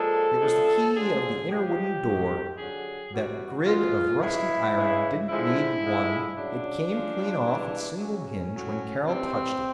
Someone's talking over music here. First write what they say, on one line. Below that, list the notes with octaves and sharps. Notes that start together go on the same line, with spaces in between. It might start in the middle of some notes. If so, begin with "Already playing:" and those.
It was the key of the inner wooden door--that grid of rusty iron didn't need one--it came clean off its single hinge when Carroll touched it.
Already playing: A#2 F3 G#3 A4
C#3 F3 G#3
D3 F3 G#3 G#4
C#3 F3 G#3 G4
C3 D#3 F#3
D3 F#3 G#4
C3 E3 G3 F#4
B2 G#3 F4
C#3 E3 G#3 E4
C#3 E3 G#3
D3 F3 G#3 E4
D3 F3 G#3
C#3 F#3 D4
C#3 F3 G#3
C#3 E3 G3
C#3 F#3 C#4
A2 F#3
C3 E3 G3 C4